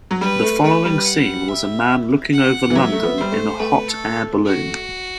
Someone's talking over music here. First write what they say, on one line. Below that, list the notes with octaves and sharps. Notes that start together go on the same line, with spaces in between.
The following scene was a man looking over London in a hot air balloon.
F#3
G3 B4
A3
A3 B4
G3
F#5
E5
F#5
E3
F#3 E5
A3
B3
G3 C5
A3
A3 B4
A4
F#4